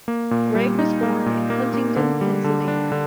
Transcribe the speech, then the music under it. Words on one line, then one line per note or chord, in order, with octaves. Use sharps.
Gregg was born in Huntingdon, Pennsylvania.
A#3
A#2
G3
D#4
A#3
A#2
A#3
A#3
D3
G3
D3
D4
D3